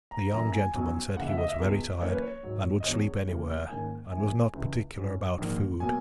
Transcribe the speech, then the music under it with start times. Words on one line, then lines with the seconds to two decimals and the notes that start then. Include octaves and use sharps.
The young gentleman said he was very tired and would sleep anywhere, and was not particular about food.
0.11 A#5
0.32 F#2 E3 A#3 A#5
0.53 G#5
0.74 B1 B2 F#3 C#4
1.17 D#2 C#3 E3 F#5
1.27 E5
1.38 D#5
1.48 E5
1.59 C#2 B2 G#3
2.01 F#2 E3 A#3 C#4 C#5
2.12 B4
2.22 C#5
2.43 G#1 G#2 F#3
2.80 D#5
2.85 E1 E2 B2 G#3 C#5
3.27 D#2 C#3 E3 A#3
3.70 G#2 D#3 A#3 C#4 G#5
4.12 F#1 F#2 E3 A#3 G#5
4.54 C#2 C#3 E3
4.96 G#2 F#3 C#4
5.38 A#1 G#2 D#3 A#3
5.80 B2 F#3 A#3 G#5